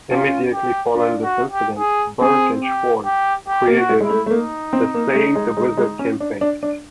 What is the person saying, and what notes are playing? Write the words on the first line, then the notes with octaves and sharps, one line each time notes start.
Immediately following this incident, Berk and Schwartz created the Save The Wizard Campaign.
C#4 F4
G4
D4 F4
F#4
G4
G#4
C4 G#4
G4
G4
G4
A#3
F#4
A3
G#3 E4
A3
A3
A#3 D#4
C4
A#3
A3
G#3
G#3
G#3
C#4
D4
D4
D4